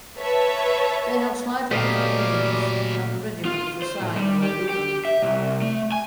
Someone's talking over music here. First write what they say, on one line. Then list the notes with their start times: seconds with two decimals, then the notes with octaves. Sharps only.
They had slightly different names and the regiments assigned were different.
0.19 B4 C#5 E5 A5
1.71 A#2 C#3 F#3 A3 G4 D5 D#5 F5
3.45 F4
3.82 C5
4.01 A2
4.16 G3
4.42 G4
4.69 G4
5.05 E5
5.22 C2
5.62 A3
5.92 G#5